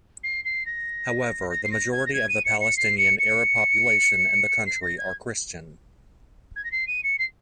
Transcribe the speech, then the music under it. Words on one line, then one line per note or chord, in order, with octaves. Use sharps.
However, the majority of the Palestinian Arab population in the country are Christian.
C7
C7
A#6
A#6
C7
A#6
G#6
A#6
G#6
D#7
C#7
C#7
C7
C#7
C#7
C7
A#6
G#6
G#6
A#6
C7
D#7
C#7
C7